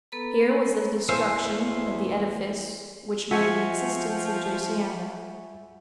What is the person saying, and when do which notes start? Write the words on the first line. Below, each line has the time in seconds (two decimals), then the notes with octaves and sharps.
Here was the destruction of the edifice which made the existence of Josiana.
0.12 B3 A4 B4 A#5 B5
1.09 E2 A3 C5 E5 F5 G#5 E6
3.31 F3 F#4 E5 G#5 C#6